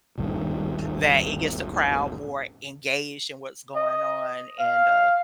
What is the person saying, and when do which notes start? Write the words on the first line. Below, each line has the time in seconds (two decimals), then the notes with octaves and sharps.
that it gets the crowd more engaged in what's going on, and, uh,
0.18 D#1 G#1 G2 D#3
3.75 D#5
4.59 F5